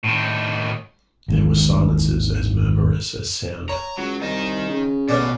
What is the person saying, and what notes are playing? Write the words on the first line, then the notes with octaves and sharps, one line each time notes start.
There were silences as murmurous as sound.
A2 D#3
G#1 D#2 G#2 E3
C#5 A#5
C#2 F#3
C2 D#3 D#5
C#3
A1 B2 C#4 D5